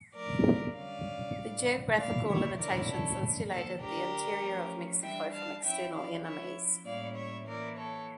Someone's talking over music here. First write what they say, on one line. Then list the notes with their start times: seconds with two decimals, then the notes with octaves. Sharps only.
The geographical limitations insulated the interior of Mexico from external enemies.
0.15 F3 A3 D4 A#4 D5
0.75 D3 G3 C#4 D5 F5
1.37 A2 G3 D4
1.98 A#2 A3 E4 D5 F5
2.28 C#5 E5
2.58 D3 F3 C#4 E4 A#4 D5
2.89 A4 C#5
3.20 D3 F3 A#3
3.50 A4
3.81 D3 A3 D4 G4 A#4
4.42 F3 A3 C#4
5.02 E3 G3 D4 E5 G5
5.33 F5 A5
5.63 F3 C#4 E4 E5 G5
5.94 D5 F5
6.25 F3 C#4 E4 C#5 E5
6.85 A2 G3 A#3 C#4 E4 D5 F5
7.16 C#5 E5
7.46 E3 A#3 E4 A#4 D5
7.77 A4 C#5